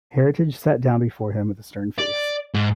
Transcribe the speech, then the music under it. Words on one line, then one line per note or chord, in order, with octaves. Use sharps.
Heritage sat down before him with a stern face.
D5
G#2